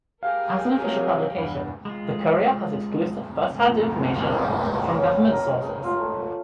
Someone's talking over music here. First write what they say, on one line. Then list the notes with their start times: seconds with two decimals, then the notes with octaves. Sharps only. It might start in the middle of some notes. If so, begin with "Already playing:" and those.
As an official publication, the "Courier" has exclusive first-hand information from government sources.
0.23 G4 G#4 A#4 F5
0.80 C3 F3 F#3
1.33 E2 G2
1.85 G#3 F4
3.61 A2 F3 A3 B3 A#5
4.22 E3 A#3 D5
4.93 C#4
5.31 A#4
5.62 G#4
5.84 F4
5.99 A3